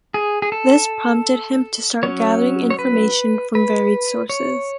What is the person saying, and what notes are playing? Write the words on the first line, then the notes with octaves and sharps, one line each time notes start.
This prompted him to start gathering information from varied sources.
G#4
G#4
A4
F#3 C#4 C#5
C#5
B4
B4
C#5